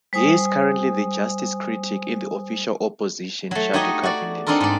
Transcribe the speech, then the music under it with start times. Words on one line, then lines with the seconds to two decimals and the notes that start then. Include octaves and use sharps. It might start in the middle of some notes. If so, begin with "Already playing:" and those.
He is currently the Justice Critic in the Official Opposition shadow cabinet.
0.13 G3 C5 G#5 D#6
3.51 F#3 A3
3.73 D#4 F#4 G4 C#5 D#5
4.03 F#4 D5
4.46 C4 D4 D#4 F4 A4 A#4
4.61 G#2 D5